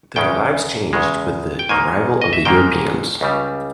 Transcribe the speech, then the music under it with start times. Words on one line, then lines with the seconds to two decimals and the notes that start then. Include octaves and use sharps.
Their lives changed with the arrival of the Europeans.
0.16 E2 C#3 G#3 G5
0.93 E2 C#3 G#3
1.59 G5
1.69 G#2 D#3 A#3 G#5
2.22 D#5
2.33 E5
2.45 G#2 D#3 A#3 G5
3.21 C#2 C#3 G3